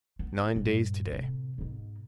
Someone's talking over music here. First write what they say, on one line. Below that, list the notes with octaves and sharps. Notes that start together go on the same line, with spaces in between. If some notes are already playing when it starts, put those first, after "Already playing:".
It's nine days today.
B3
G2 A#2
A2 C3
G#2 B2